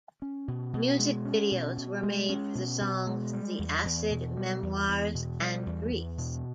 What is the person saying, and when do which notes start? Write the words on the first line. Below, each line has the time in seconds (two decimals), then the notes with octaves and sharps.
Music videos were made for the songs "The Acid Memoirs" and "Grease".
0.22 C#4
0.48 B2
0.74 B2
0.99 G#3
1.25 C#4
1.51 B2
1.77 B2
2.03 G#3
2.29 C#4
2.55 B2
2.81 B2
3.07 G#3
3.33 G3
3.59 E2
3.85 E2
4.11 B2
4.37 G3
4.63 E2
4.88 E2
5.14 B2
5.40 G3
5.66 E2
5.92 E2
6.18 B2